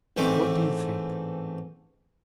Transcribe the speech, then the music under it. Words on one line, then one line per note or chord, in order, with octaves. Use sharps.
'What do you think?
A1 G#2 E3 A3 C4 D6